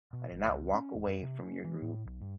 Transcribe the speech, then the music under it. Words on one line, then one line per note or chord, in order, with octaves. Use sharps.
I did not walk away from your group.
B2
G#1
C#2
C#4
E1
F#2
C3
C#4
E3
A2
B1
G2